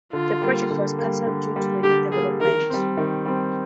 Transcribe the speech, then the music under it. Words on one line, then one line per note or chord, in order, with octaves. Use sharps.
That project was cancelled due to the new developments.
D3 F4
G3 A#3
D3
G3 A#3
D3
G3 A#3
D3 G4
G3 A#3 G#4
D#3 A#4
G3 C4
D#3
G3 C4